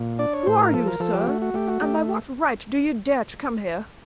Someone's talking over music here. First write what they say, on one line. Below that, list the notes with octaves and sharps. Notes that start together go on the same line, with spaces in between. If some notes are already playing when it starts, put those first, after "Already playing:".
"Who are you, sir, and by what right do you dare to come here?"
Already playing: A#2
D4 D5
C#5
A2 C5
A#4
F3 A4
A#4
F3 A4
G4
A3 F#4
F#4
A3 G4
F#4
A3 G4